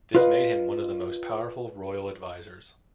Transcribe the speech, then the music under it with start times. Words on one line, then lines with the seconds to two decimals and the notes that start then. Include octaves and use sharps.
This made him one of the most powerful royal advisers.
0.15 F4 B4 D#5 F5